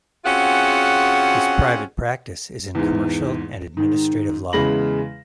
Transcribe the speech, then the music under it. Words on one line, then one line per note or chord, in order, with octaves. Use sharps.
His private practice is in commercial and administrative law.
C4 C#4 F4 F#4 G#4 F#5
E2 G#2
G#2 D#3
E2 C#3 G#3 B5 A#6 F#7